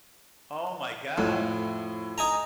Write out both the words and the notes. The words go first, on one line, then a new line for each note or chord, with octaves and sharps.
oh my god.
F2 A2 C#5
D#4 G#5 A#5